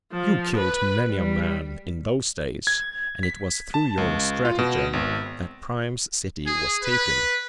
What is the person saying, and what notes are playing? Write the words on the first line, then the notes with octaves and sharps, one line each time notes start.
You killed many a man in those days, and it was through your stratagem that Priam's city was taken.
F3
B4
G3
G#6
B6
A5
C#2
F4
B2
G#1
G#4
B4